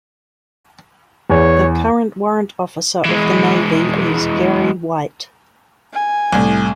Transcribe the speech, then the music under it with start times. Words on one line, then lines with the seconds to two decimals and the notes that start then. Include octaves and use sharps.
The current Warrant Officer of the Navy is Gary Wight.
1.30 E2 C#5
3.05 E3 G#3
5.93 G#5
6.32 C2 A2